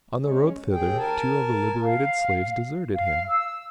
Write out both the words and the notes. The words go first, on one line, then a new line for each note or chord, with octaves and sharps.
On the road thither, two of the liberated slaves deserted him.
G#3 C#4
D#2 G#4 G5
A#4 G#5 A5
F5
F5
E6